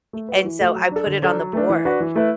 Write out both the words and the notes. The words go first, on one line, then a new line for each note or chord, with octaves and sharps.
And so I put it on the board.
A3
F#4 B4
E3
A3 F#4 A4
F#3
D4 A4
D3
F#3 D4 A4
F#3
A3 D4
E3
D4 F#4 B4
E3
A3 E4 B4